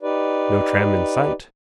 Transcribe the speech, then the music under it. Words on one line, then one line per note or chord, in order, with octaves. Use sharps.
No tram in sight.
D#4 G4 B4 D5